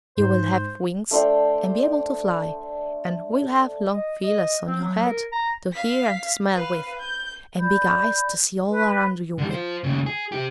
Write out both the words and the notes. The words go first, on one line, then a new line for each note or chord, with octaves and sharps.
You will have wings, and be able to fly; and will have long feelers on your head to hear and to smell with, and big eyes to see all around you with.
G#2 C5
A3 D4 C5 G5
D#5
D#5
C4
F#3
A#4
A#5
F5 B6
B4 F5
G6
D5 B5 G6
B4
D3 G3
F4 C5
D#2 C#3
G#4
C4 G4